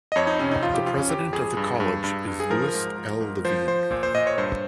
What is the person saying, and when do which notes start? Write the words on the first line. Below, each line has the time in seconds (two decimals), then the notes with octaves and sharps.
The President of the College is Louis L. Levine.
0.12 D#5
0.16 F2 C#5
0.27 D#4
0.39 C3 C#4
0.51 D#4
0.63 F3 F4
0.74 G4
0.86 F2 F4
0.98 C#4
1.09 F2 G4
1.33 F2 G#4
1.57 G2
1.80 G2
2.04 G2
2.27 G2
2.40 G#4
2.50 F3 A#4
2.74 G#2
2.98 F3
3.21 G#2
3.45 F3 C5
3.68 F3 C5
3.91 A#2
4.03 C5
4.15 A#2 D#5
4.27 C#5
4.38 G2 C5